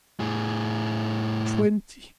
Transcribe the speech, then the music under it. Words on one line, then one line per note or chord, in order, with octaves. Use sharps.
At twenty!
A2 G#4